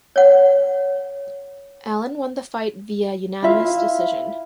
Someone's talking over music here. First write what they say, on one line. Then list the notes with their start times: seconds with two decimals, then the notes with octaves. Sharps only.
Allen won the fight via unanimous decision.
0.16 C#5 F#5
3.43 E4 F4 E5 F5